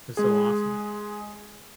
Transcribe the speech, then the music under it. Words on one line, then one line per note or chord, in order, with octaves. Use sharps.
was so awesome.
G#3 G#4